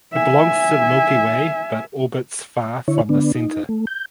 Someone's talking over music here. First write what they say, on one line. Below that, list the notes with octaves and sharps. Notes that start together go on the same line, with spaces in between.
It belongs to the Milky Way but orbits far from the centre.
E5 G#5
D3 E4 C#5
D3 B3 D4
D#4
A3
G6